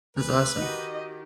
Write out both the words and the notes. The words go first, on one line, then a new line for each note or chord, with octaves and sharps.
That's awesome.
D2 B4
D#3 D#4 F#4 G4 D#5